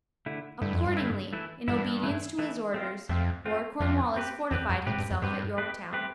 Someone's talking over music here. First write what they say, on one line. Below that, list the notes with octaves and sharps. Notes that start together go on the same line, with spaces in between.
Accordingly, in obedience to his orders, Lord Cornwallis fortified himself at Yorktown.
D3 A3 E4
G2 D3 A3 E4
F2
G2
D3 A3 E4
E3 A3 E4
G2 E3 A3 E4
E3 A3 E4
E3 A3 E4
A3 C4 F4
F2 A3 C4 F4
A3 C4 F4
F2 A3 C4 F4
C4 G4 B4
E2 C4 G4 B4
F2
A2 C4 G4 B4
G2
F2
G2 C4 G4 B4
A3 C4 G4 B4
A3 C4 G4 B4